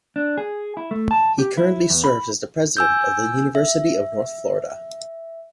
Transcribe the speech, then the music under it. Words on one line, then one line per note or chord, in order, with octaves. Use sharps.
He currently serves as the president of the University of North Florida.
D4
G#4
E4
A3
A5
G4
E4
E2
B5
G#5 E6 G6
E5